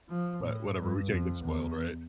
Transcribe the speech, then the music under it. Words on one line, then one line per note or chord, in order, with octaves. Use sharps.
But whatever, we can't get spoiled, right?
F3
A2
G2
F2
E2